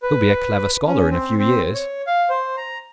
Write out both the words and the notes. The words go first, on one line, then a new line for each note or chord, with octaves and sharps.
He'll be a clever scholar in a few years.'
B4
C#4
C4
C4
C#5
F5
C5
A#5